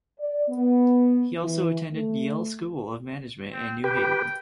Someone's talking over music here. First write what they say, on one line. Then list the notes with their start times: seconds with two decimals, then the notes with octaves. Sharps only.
He also attended Yale School of Management in New Haven.
0.19 D5
0.49 B3
1.39 E3
1.94 A3
3.52 C4
3.84 G4 B4 G5